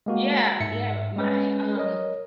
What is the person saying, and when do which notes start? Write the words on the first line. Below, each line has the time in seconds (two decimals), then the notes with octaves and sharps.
Yeah, yeah, my, um
0.06 G#3 A#3 F#4
0.60 G#2 E5 C#7
1.16 G#3 C#4 B4
1.76 A#4 C#5 D#5